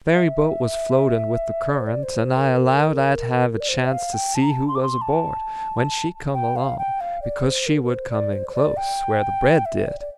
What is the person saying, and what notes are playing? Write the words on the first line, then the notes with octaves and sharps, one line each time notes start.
The ferryboat was floating with the current, and I allowed I'd have a chance to see who was aboard when she come along, because she would come in close, where the bread did.
E5
D5
C5
D5
C5
A#4
D5
C5
E5
F5
G5
A5
A#5
A5
C6
D6
C6
A5
G5
F5
G5
F5
D5
C5
A#4
A#4
C5
D5
C5
C5
D5
G5
E5
D5
D5